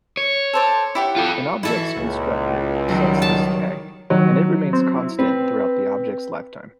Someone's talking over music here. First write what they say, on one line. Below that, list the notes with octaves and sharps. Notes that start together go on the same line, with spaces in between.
An object's constructor sets this tag, and it remains constant throughout the object's lifetime.
C#5
A4 C5 D5
E4 G4 F#5
F4 A4
E3 E4 F#4 A4 E5
C#2 A#2
D#3 F#3 G3
A5
D#3 F#3
C4
E4
C4 B4